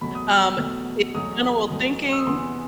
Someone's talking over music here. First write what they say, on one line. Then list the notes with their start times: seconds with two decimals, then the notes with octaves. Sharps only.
um, in general thinking,
0.01 E2 B2 F#3 A3 B5
0.15 D#6
0.29 E6
0.44 E6
0.57 E2 B2 F#3 A3
1.15 E2 B2 F#3 A3 D#6
1.71 E2 B2 F#3 A3
2.12 E6
2.19 D#6
2.27 E2 C3 E3 B3 C6